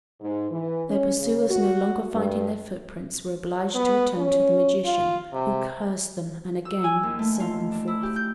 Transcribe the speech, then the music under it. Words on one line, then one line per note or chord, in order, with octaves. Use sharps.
Their pursuers, no longer finding their footprints, were obliged to return to the magician, who cursed them, and again sent them forth.
G#2
E3
C#4
C#3
F#4
G2
B3
C#4
F4
C3
E6
G#5
D#2
A3
F4
D4
E4
G4
G6